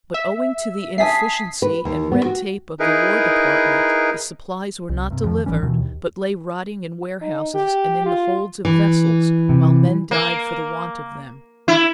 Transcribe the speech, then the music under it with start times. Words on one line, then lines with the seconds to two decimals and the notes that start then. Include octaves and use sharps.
But owing to the inefficiency and red tape of the War Department, the supplies were not delivered, but lay rotting in warehouses and in the holds of vessels while men died for the want of them.
0.14 E5
0.98 E5 G#5 A5 D#6 B6 C7
1.62 B4
1.85 D#2
2.12 B3
2.26 F#4
2.80 D#4 E4 G#4 A#4 B4
4.89 C2
5.10 G2 C3
5.24 F2 D#3 F3
5.46 G#1 E3 G3 C#4
5.62 D#2 B2 D#3 E3
5.80 D#2
7.21 D#4
7.55 G4
8.06 F4
8.65 E3
9.49 C3
10.11 A#3
11.68 E4